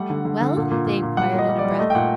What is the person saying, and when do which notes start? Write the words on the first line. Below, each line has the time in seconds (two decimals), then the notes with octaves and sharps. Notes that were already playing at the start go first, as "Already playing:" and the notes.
"Well?" they inquired in a breath.
Already playing: G3 A3 F#5
0.10 D3
0.25 D3
0.41 D3
0.56 A#2
0.71 A#2
0.86 A#2
1.02 A#2
1.17 G3 F#5
1.34 A#2
1.39 D#5
1.49 G3
1.59 D5
1.64 G3
1.79 A3 D#5
1.90 G5
1.95 A#2 F#5